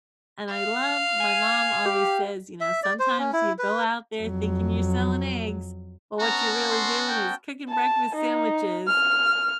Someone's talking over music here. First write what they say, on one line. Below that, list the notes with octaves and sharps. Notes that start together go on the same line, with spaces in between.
and I love My mom always says, you know, "Sometimes you go out there thinking you're selling eggs, but what you're really doing is cooking breakfast sandwiches,"
F5
G#5
G4
E5
D5
C5
C#4
E4
B4
F2 F#3
B3 C#4 F#4 A5 A#5
C6
G5
A5
D#4
F6